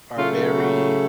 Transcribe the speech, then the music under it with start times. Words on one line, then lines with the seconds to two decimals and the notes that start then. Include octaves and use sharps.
are very
0.18 C#3 F#3 A3 F4
0.57 F#4